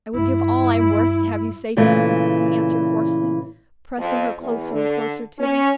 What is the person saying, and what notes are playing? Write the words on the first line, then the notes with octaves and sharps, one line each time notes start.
"I would give all I am worth to have you safe at home," he answered hoarsely, pressing her closer and closer to him.
G2 E4
A#2 C#3 E3 A3
F2
E2
D3
C#4